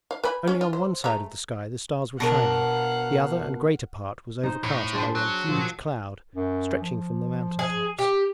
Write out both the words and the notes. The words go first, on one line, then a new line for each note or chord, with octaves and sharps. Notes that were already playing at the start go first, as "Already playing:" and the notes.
Only on one side of the sky the stars were shining, the other and greater part was overcast by one huge cloud stretching from the mountaintops.
F5
B4 G#5 B5
C#4
F4
C5
G#3 A3 A#5
B2 D4 A#4 F5 F#5
D#4 C5
A2 C#5
D4 G#4 C5
F#3
A#2 F3
F#2
F3
G#4
G4